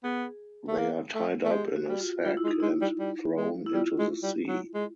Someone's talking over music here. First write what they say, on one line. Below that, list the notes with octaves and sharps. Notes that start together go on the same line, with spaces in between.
They are tied up in a sack and thrown into the sea.
B3 G#4
A3
A#3
A3
A3
G#3 G4
F#4
G3
F4
G3 F4
E4
G#3
D#4
G#3 E4
G3
G3
G#3
E4
G3 F4
G#3
G3
F#3
G#3